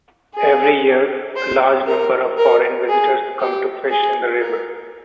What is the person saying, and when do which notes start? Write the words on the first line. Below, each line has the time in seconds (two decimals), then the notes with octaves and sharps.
Every year, a large number of foreign visitors come to fish in the river.
0.35 G#4
1.36 C5
1.87 A#4
2.38 A#4
2.89 G#4
3.40 G4
3.90 G#4
4.41 A#4